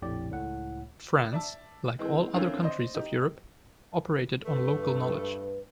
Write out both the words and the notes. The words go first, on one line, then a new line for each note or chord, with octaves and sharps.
France, like all other countries of Europe, operated on local knowledge.
A#1 F2 A2 G4 D5
C#2 A2 F#5
D5 E5 A5
E3 G#3 C4
D3 A#3 C4 C#4 E4 F4
C5 D5 D#5
D#4 G4
G2 A3 B4